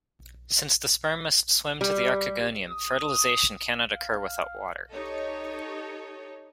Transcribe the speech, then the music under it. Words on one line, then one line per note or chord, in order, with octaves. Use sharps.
Since the sperm must swim to the archegonium, fertilisation cannot occur without water.
G3
D#6
F5
D#4 G4 A4 C#5 D#5